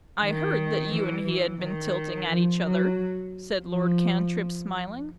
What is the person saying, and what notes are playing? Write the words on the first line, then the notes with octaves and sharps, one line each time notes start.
"I heard that you and he had been tilting at each other," said Lord Cantrip, smiling.
D#3
E3
E3
D#3
F3
F#3
F3